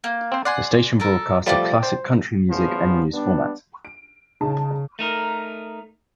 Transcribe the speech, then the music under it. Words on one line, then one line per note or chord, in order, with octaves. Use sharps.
The station broadcasts a classic country music and news format.
A#3
C4 C5
D5 F#5 G#5 C6
A4 A#4
F3 G3 A3 D5 G5 A5
C5
E2 G2 C#3 F3 B3
G3 B3 D4
D7
C#3 D#4 G#4 A5
A3 D#4 A#4